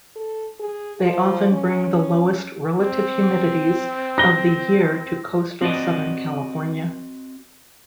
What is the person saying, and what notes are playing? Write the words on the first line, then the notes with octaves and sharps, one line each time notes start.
They often bring the lowest relative humidities of the year to coastal Southern California.
A4
G#4
F3
C#4
C4
A#6 G7
C4 F#4 D5 D#5